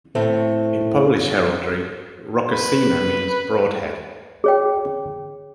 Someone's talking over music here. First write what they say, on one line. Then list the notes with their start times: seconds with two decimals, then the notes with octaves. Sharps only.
In Polish heraldry "Rogacina" means "Broadhead".
0.15 A2 A3 C4
2.51 B4 B5
4.44 G#4 C#5 G5